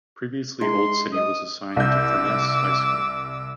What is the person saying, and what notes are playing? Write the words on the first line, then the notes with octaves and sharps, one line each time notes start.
Previously Old City was assigned to Furness High School.
G#3 D4 E4 E5 C6
F#4 A#4 D#5 D#6
C2 D6 E6 G6